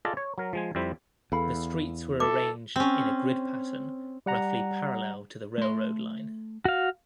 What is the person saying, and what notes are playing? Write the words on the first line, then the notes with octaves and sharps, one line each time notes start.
The streets were arranged in a grid pattern roughly parallel to the railroad line.
F4 G#4 A4 D5 D#5
C#5
F#3 A#4
F3 G#3 G#5
F2 G3 E4 C5
E2 A4 F5 B5
E4 A4 D6
C4 C#4
G3 F#5 A#5
A3 C6
F#4 F5